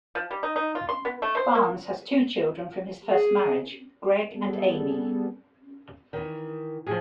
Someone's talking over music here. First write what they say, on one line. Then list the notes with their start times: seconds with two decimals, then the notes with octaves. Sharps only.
Barnes has two children from his first marriage, Greg and Amy.
0.15 F3
0.31 G3
0.43 D#4
0.56 D#4
0.75 F4
0.89 C6
1.05 B3
1.22 A3
1.37 C5
1.55 A#3
3.11 G#4
4.34 G3 B3 G#4 A4
6.13 D#3 E3
6.87 A2 F3 G#4